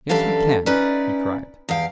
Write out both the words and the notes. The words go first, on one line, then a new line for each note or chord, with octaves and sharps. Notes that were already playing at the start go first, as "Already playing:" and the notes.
"Yes, we can!" he cried.
F#2 E3 G3 D4 A4 F5
C#4 D#4 E4 B4 D5
E2 F5 G5